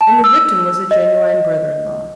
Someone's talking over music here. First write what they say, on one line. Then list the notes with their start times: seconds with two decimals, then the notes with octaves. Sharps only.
And the victim was a genuine brother-in-law.
0.01 A5
0.24 E6
0.91 D#5